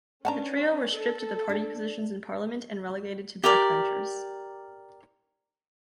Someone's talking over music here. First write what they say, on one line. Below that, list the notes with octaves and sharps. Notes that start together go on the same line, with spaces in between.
The trio were stripped of the party positions in Parliament and relegated to backbenchers.
B3 C#4 D4 F#5 A5 A#5
A4
D4
G4 A#4 D5